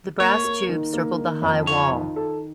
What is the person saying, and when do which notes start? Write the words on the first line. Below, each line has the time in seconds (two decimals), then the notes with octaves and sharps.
The brass tube circled the high wall.
0.20 A#3 C#5
0.44 A#3
0.69 D#3
0.94 A#3
1.18 D#3
1.42 F2
1.67 F4 C#5
1.92 D#3
2.16 A4